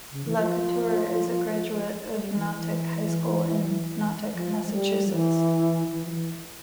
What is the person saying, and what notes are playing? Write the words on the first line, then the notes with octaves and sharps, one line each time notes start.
LaCouture is a graduate of Natick High School in Natick, Massachusetts.
C#3
E3
F3
G3
E3
E3
F3
G#3
G3
F3
E3
E3
F3
E3